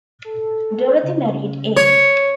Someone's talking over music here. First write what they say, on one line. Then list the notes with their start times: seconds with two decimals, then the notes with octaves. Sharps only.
Dorothy married A.
0.25 A4
1.03 C#3
1.76 C#5